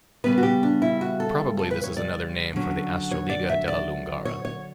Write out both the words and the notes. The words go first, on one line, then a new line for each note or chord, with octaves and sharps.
Probably this is another name for the 'astroliga della Lungara'.
C#3 G3 B3 B4
F#4
G4
D4
E4
F#4
A4
A4
B4
C#5
D5
D3 F#3 C#4
C#5
D5
E5
D5
C#5
C#5